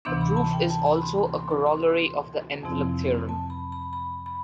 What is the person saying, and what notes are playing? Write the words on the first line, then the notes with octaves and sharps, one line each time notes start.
The proof is also a corollary of the envelope theorem.
D2 C3 E3 B3 D4 C6
B5
A5
G5
A5
B5
C6
C6
C6
D6
C6
C6
F2 C3 F3 C4 E4
A5
B5
B5
B5
B5